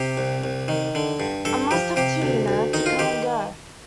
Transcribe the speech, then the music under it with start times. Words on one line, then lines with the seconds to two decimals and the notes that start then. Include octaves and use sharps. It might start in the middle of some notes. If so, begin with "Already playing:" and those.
I must have two, you know—to come and go.
Already playing: C3 G4
0.17 C2
0.44 C2
0.68 D#3
0.95 D3
1.20 G2
1.45 G2 A4
1.71 F3 G4
1.96 C3 G4
2.22 D2
2.48 D2
2.73 D#3 D#4
2.86 F4
2.99 D#3 G4